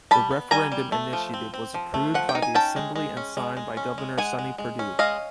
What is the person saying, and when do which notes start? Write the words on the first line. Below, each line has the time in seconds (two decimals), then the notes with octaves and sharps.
The referendum initiative was approved by the Assembly and signed by Governor Sonny Perdue.
0.11 G3 A5 B5
0.31 B3
0.51 G3 G#5 A#5
0.72 G3
0.92 A3
1.13 F3
1.34 C4
1.54 C4
1.74 F3
1.94 A3
2.14 F3 F#5
2.29 G5
2.35 D#4
2.42 G#5
2.55 C#4 G5 A5
2.76 G#3
2.96 G#3
3.17 C#4
3.37 G#3
3.57 G#3
3.77 C#4
3.98 G#3
4.18 G#3 F#5 G#5
4.39 G#3
4.58 G#3
4.79 C#4
4.99 G#3 D#5 F5